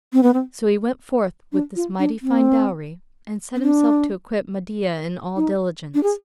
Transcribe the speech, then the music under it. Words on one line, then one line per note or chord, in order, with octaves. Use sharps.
So he went forth with this mighty fine dowry and set himself to equip Mahdiyah in all diligence.
C4
B3
C4
D4
F4
D4
C4
C4
D4
D#4
D4
G#4